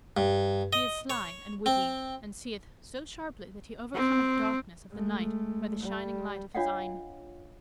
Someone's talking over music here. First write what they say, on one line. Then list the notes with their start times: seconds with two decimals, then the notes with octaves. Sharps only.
He is slye and wittie, and seeth so sharpely that he overcommeth darkness of the nighte by the shyninge lyghte of his eyne.
0.17 G2
0.73 D#5
1.10 C#5
1.66 C4
3.95 C4
4.91 G#3 A3
5.80 G3
6.55 D4 F4 C#5 D#5 F5 F#5